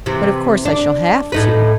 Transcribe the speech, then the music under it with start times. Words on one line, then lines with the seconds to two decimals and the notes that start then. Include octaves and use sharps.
But, of course, I shall have to.
0.06 C3 E3
0.65 D4
1.32 A2 D#4 B4